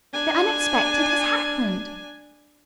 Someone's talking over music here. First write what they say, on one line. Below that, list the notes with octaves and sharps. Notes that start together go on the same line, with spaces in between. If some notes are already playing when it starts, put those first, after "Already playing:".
"The unexpected has happened!"
D4 G#5